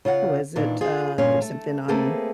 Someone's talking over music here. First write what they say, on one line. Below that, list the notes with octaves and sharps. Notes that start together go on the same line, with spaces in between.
what was it, uh, there's something on
C#3 F4 F5 F#5
A#2 D#3 E3 D4
F4 G#4
G2 A#2 C#4 F4
A3
A3 A#3 C4 G#4 A4 B4